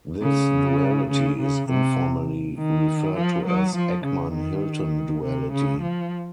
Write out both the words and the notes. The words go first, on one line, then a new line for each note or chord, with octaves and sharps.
This duality is informally referred to as Eckmann-Hilton duality.
C#3
C#3
C#3
C3
D#3
F3
F#3
F3
C#3
D#3
C3
C#3
F3